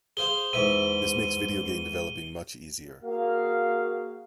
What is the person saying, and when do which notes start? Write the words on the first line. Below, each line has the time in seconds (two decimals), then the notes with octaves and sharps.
This makes video game developing much easier.
0.17 G#4 C5 F5 G7
0.53 E2 G#2 E5 D#7
3.03 A#3 F#4 G#4 A#4 F5